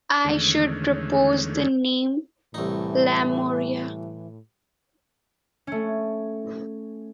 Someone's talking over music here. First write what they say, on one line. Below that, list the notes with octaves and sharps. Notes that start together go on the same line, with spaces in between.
I should propose the name Lemuria!
E2 D3 D#3 G#3 A3 C#4
C2 A2 E3 D#4
A3 C#4